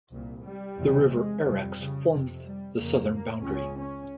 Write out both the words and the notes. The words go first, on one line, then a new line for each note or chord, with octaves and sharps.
The river Arax formed the southern boundary.
C2 A#2
G3
E2 C3
G#3
F2 C3 G3
C#3
F2 C3
G3
F2 C#3 A#3
A#3
C#2 C#3 C#4
C#4